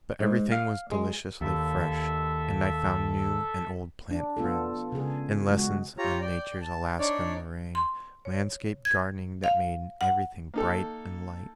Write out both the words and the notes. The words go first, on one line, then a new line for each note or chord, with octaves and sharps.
But everything was deliciously fresh, and I found new and old plant friends, and lessons on Nature's Alaska moraine landscape-gardening that made everything bright and light.
G#2
F5
G#3
D#2 A4 E5
D4
B3 F4 A4
C#3 G#4
G#3 F#4
F4 G4 C#5 A#5
D5 G5
A5
D4 D#4 C#5 D5
C6
C#5
G#6
F5
F#5
A#3 D#4 A4